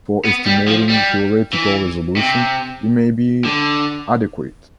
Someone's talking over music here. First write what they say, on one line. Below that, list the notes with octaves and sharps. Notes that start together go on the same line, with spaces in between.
For estimating theoretical resolution, it may be adequate.
B3
G3
F3
G3
E3
C3
D3